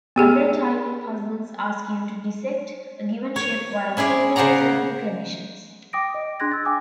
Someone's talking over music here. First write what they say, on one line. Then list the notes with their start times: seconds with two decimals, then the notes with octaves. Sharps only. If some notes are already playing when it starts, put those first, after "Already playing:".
Other tiling puzzles ask you to dissect a given shape while fulfilling certain conditions.
0.16 B3 G4 G#4
3.36 C#5
3.97 C#4 E4 G#4 D5
4.36 C#3 C5 D5 F#5 A#5
5.93 G5 D6 D#6 A#6 D7
6.14 D#5
6.40 D4 G#4 C6 F#6 G#6 A#6
6.51 E6 A6
6.65 G5 G#5 D6 D#6